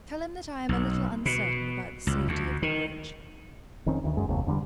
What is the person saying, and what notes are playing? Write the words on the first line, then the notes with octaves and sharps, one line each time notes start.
"Tell him that I am a little uncertain about the safety of the bridge."
B1
B2
C#2
D2
D#3
F1 D#3 C4 C#4
D2 D#3
F#2 G#3
F#1 D#2 C3
E2 D3 F3 G3